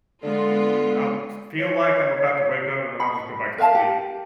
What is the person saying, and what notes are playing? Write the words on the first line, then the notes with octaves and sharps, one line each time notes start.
I'll f feel like I'm about to wake up, and then I'll just go back to sleep.
D3 G#3 B3 F4
C#5
B5
A#4 E5 F5 A5
G4